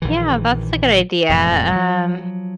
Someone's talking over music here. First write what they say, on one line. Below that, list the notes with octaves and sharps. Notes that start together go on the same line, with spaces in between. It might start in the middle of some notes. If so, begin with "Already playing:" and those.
Yeah, that's a good idea. Um,
A#1 D#3 E3
E1 F2 A2
F3 F#3